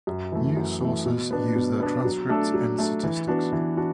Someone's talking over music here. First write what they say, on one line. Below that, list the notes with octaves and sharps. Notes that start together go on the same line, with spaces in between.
News sources use their transcripts and statistics.
F#2
E3 A3
F#2
E3 A3
B2
B3 D4
B2
B3 D4
F#3
A3 D4 A4
F#3
A3 D4 A4
E3
B3 D4 F#4
E3
D4 F#4